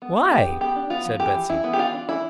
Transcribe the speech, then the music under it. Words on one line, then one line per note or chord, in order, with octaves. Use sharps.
"Why?" said Betsy.
B3
B3
F4
D4 G4
B3
B3 G4
D4
B3 F4
F3
E3 G4
E3
E3 E4
B3
G4
E3 F4
D4
E3 E4